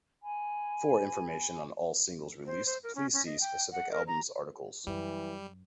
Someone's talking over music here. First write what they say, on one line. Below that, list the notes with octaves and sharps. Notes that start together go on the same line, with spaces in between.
For information on all singles released please see specific album's articles.
G#5 B5
C5
C5
A#4
C#4
C#4
D#5
G5
F#5
A#4
A#5
F#2 E3 G3